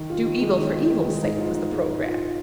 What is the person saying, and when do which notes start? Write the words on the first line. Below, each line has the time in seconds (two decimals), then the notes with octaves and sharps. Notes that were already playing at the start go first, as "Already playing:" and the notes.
Do evil for evil's sake was the programme.
Already playing: D#3
0.10 F4
0.25 D#3
0.41 G#3
0.58 D#3
0.73 F4
0.90 D#3
1.06 G#3
1.22 G#2
1.38 F4
1.54 G#2
1.71 G#3
1.87 G#2
2.04 F4